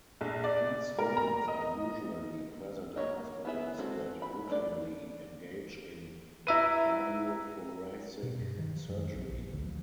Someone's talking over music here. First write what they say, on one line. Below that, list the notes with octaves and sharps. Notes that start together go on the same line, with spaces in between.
These units are usually present in hospitals that routinely engage in cardiothoracic surgery.
A#1
D5
A#4
A#5
D#5
A#3 C#4 C#5 D#5
B3 E4 G#4 E5
G#3 C4 F#4 A4
B5
A3 D4 D5
E4 B4 E5 A#5 E6 D#7
B2
G2
D#3
F3
F#2
B1
A#1
D2
F3